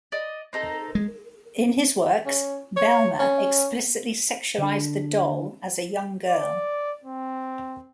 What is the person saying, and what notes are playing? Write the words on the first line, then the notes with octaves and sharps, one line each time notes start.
In his works, Bellmer explicitly sexualized the doll as a young girl.
D5 D#5
C4 D#4 A4
G#3
C#4
C#5
C#4
D3 D4
D5
C4